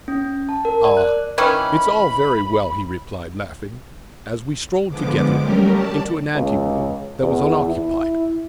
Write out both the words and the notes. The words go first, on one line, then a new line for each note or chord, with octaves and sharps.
"Ah, it's all very well," he replied, laughing, as we strolled together into an ante-room that was unoccupied.
C#4
A5
A#4
D5
F#6
D#3 E3 C#4 B5
D3 F3 G#3 B3 D6
F#3 G3 A3 C#4 G4 A#4
D5 A5
C#2
E2
E4